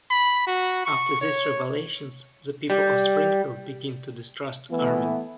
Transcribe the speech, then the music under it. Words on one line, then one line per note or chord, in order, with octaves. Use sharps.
After these revelations, the people of Springfield begin to distrust Armin.
B5
F#4
C#6
C#5
G3
E3 A3 B3